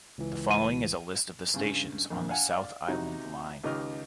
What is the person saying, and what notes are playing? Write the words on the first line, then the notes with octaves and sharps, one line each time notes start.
The following is a list of the stations on the South Island Line.
C#2 E3
D#7
G2 C#3
A#1 F2
F5 F#5 G#5
D5 F5
C3 E3 D#4 E4 F#4
C#2 D#3 G4 D#5 D#6 F6